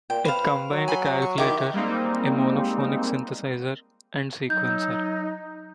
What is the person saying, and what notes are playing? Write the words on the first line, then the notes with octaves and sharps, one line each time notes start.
It combined a calculator, a monophonic synthesizer, and sequencer.
A#2 G5
B4 C5 F5
F#3
G#5 B5 C6
C#6
D#3 E4 G4 A5
G3 G#3 A#3 C4 D#4
F#3 D#4 G6